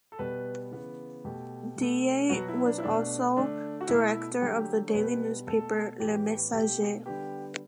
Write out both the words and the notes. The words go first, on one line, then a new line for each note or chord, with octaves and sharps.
Ndiaye was also director of the daily newspaper "Le Messager".
A4
B2 G3 B3 B4
C#3 E3 B3
B2 A3 G4
B2 A3
B2 F#3 B3 F#4
E4
D4
E4
B2 A3 D4
D3 A3 D4
F#4
B2 A3 E4
D3 F#3 A3 G4
C#5
B2 G3 B3 B4
B2 A3 A4
A2 E3 B3 G4
B2 A3 G4
D3 G3 B3 G4